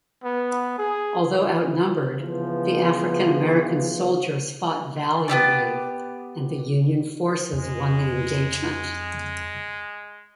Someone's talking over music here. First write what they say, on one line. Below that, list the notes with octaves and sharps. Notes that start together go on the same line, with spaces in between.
Although outnumbered, the African-American soldiers fought valiantly, and the Union forces won the engagement.
B3
G#4
C#3 E3 F3 B3
B3 F4 G4 D5
F2 G#3